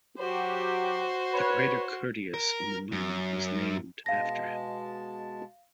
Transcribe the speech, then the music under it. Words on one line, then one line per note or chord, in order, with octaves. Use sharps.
The crater Curtius on the Moon was named after him.
F#3 F#4 G4 C5
B4 C#5
A#4
F#2
B2 G#3 F5 A5 A#6